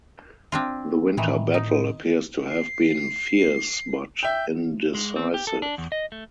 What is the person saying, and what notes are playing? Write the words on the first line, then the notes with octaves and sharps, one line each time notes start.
The winter battle appears to have been fierce, but indecisive.
C4 D4 F4
A2 D#3 E3
D#4
C7
E5 G5 G6
G#3
C4
G4
A4
D4
E2
D#5
A3